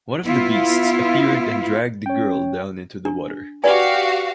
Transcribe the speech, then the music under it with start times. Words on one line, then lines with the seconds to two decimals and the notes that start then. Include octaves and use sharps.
One of the beasts appeared and dragged the girl down into the water.
0.24 B3 E4 F4
2.06 C#4 C#5 G5
3.05 D4
3.64 F#4 G4 B4 D5 F5 G#5